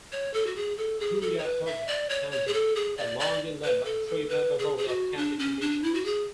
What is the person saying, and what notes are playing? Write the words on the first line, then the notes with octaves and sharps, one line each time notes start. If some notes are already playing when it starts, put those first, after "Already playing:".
Cuyahoga County had long been led by a three-member Board of County Commissioners.
C#5
A4
F#4
G#4
A4
G#4
A4
C#5
B4
E5
D5
C#5
C#5
G#4
A4
G#4
D5
D5
B4
A4
A4
B4
G#4
G#4
F#4
D4
C#4
D4
E4
F#4
G#4